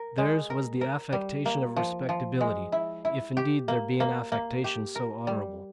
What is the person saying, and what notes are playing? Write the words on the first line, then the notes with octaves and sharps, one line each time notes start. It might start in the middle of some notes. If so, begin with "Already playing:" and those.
Theirs was the affectation of respectability;--if indeed there be an affectation so honorable.
Already playing: A#4
G#3
A#4
A#4
G3
A#3
F3
F3
G#3
E4
E4
G4
A#3
A#3
A#3
G4
A#4
G3